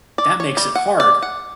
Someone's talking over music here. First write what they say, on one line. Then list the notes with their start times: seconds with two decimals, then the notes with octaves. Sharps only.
That makes it hard!
0.18 D5
0.40 C#5
0.57 G3
0.75 F#5
1.00 D5
1.22 F#5